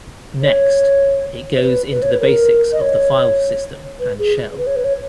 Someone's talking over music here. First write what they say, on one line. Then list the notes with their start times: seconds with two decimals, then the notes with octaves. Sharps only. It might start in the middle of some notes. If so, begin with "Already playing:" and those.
Next, it goes into the basics of the file system and shell.
0.42 C#5
1.57 C#5
1.62 B4
1.91 B4
2.03 C#5
2.12 B4
2.20 A#4
2.72 D#5
2.81 C#5
3.99 B4
4.19 G#4
4.58 B4
4.67 C#5
4.76 B4
4.84 C#5